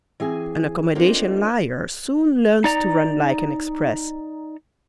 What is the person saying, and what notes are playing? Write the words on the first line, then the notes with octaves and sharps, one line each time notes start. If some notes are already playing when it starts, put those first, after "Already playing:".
An accommodation liar soon learns to run like an express.
E3 C4 G#4 G#5
A#3 C4 D4 D#4 F4 A4
D#4 D5 A#5